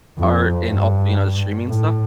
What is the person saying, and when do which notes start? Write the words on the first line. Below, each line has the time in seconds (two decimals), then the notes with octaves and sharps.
Art and also, you know, the streaming stuff,
0.18 F2
0.69 G2
1.68 A2